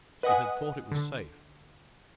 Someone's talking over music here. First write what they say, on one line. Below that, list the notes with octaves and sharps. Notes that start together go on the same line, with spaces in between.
She had thought it was safe.
B4 D#5 F#5 G#5 D#6 F#6
D3